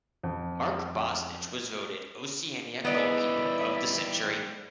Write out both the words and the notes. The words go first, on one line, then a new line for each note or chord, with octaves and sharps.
Mark Bosnich was voted Oceania Goalkeeper of the Century.
F2
G3 B3 D#4 E4 D5 D#5